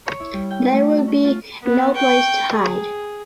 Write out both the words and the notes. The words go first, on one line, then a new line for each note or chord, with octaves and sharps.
There would be no place to hide.
C#5
E4
G3
G5
A3
F#4
C#4
F4
B3 C4
G5 C#6
G#4